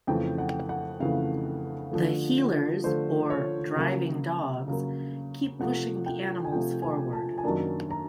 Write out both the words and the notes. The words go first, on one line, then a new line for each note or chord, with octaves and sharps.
The "heelers" or driving dogs keep pushing the animals forward.
F2 C#3 E3 A3 G5
F#5
F#5
F2 C#3 E3 A3 F5
D3 F3 A3
D3 F3 A3 C5
C#5
C#3 F#3 A#3
C#3 F#3 A#3
C3 F3 A3 F#5
G5
G#5
C3 F3 A3 G5
G#5
A5
G#5
F#2 D#3 F#3 A#3 D4 A5
A#5